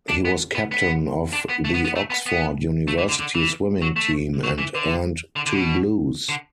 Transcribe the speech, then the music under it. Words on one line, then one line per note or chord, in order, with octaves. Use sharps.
He was Captain of the Oxford University Swimming Team and earned two Blues.
D4
B3
B3
B3
D4
B3
A3
B3
B3
A3
B3
B3
A3
E3
D3
D3
E3
F#3
A3
F#3
E3
D3
D3
D3
B2
D3